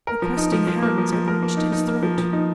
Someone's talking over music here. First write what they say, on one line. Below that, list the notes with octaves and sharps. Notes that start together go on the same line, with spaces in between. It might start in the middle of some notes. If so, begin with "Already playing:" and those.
The questing hands had reached his throat!
A#4
F3
D#4
F3
F3
A#3
F3
F3
A#4
A#3
D#4
D#4
A#3
F3
F3
D#4